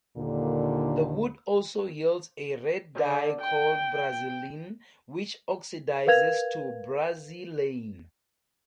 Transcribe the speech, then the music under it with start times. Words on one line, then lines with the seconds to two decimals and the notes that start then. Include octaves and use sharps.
The wood also yields a red dye called brazilin, which oxidizes to brazilein.
0.18 D#2 A#2 D3
2.95 D3
3.41 G5
6.07 A#4 B4 F5 G#6 F7